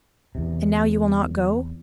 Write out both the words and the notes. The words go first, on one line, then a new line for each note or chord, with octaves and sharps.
"And now you will not go?"
E2 C3